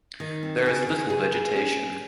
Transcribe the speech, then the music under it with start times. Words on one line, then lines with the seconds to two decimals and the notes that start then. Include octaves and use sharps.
There is little vegetation.
0.20 D#3
0.43 C4
0.66 C#3
0.88 C#3
1.10 G#4
1.34 G#4
1.56 C#4